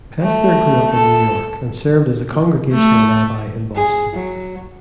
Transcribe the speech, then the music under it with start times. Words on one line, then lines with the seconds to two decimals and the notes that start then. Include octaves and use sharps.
Pesner grew up in New York, and served as a congregational rabbi in Boston.
0.22 A3
0.93 A4
2.73 A3
3.76 G#4
4.13 F#3